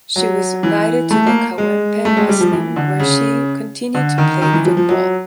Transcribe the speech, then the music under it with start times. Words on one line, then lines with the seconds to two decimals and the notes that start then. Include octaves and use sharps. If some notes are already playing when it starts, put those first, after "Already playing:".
She was invited to the Kawempe Muslim where she continued to play football.
0.16 F#3
0.63 E3
1.11 A3
1.26 A#3
1.58 G#3
2.05 A3
2.17 G#3
2.29 G3
2.40 F3
2.52 E3
2.76 D3
2.99 C#3
3.94 D3
4.18 D#3
4.42 D#3
4.53 E3
4.65 F3
4.77 F3
4.89 F#3